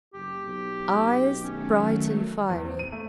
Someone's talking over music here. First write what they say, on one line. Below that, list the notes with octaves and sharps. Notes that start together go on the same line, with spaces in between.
EYES--Bright and fiery.
F#1 G4
B1
D#3 F#3 A3 C#4
E2
C4
D#7
A3